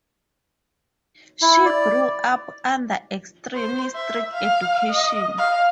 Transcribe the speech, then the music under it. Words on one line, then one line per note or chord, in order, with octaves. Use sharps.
She grew up under extremely strict education.
E4
D5
C5
E5
F5
D#5
F5